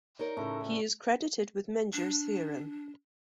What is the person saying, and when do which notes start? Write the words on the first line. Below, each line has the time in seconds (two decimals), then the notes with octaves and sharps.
He is credited with Menger's theorem.
0.19 D#4 A#4 C#5
0.37 A2 C#3 A3 E4
0.61 D2 F4
1.94 D4